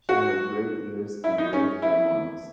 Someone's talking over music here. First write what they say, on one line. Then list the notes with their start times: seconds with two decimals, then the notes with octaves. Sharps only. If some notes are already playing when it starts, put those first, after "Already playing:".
She has great ears and great harmonics.
0.09 F#4
1.24 E4
1.38 D#4
1.53 C#4
1.82 E4